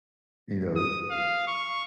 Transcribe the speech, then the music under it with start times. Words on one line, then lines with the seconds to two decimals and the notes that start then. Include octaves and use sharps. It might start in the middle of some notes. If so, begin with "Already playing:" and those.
you know,
0.76 D#6
1.11 F5
1.47 C#6